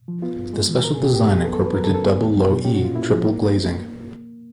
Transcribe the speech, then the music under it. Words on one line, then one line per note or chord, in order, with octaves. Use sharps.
The special design incorporated double low-"e" triple glazing.
F3
B3 F4
G2
G#3
E3
B2 A#4
G#4
B2 G4
B3 G4
F#3 G#4
B3 A4
A4
E2
B4
F#3 A#4
A4
C#3
A4
B3 G#4
E2
F#3
B2
C#4 G4
F#4
A#2 F4
A#3 E4
F3
A#3